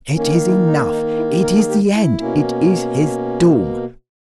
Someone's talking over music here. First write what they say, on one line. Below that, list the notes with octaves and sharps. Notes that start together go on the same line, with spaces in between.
'It is enough!--it is the end!--it is his doom!
D#3 A#3 C#4
C#4
D#4
E4
D#4
D#4
E4
G4
A#4
G#4
G4
E4
B2 A#3 C#4